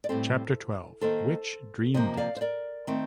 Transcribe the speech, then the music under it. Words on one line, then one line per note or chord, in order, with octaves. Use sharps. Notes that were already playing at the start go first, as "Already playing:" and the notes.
Chapter Twelve - Which dreamed it?
D5
A2 G3 C4 A4 C5
D#3 A#3 A4 C5
C3 F3 A#3 C5 D#5
D5 F5
C5
A#4 D5
D#3 A3 C4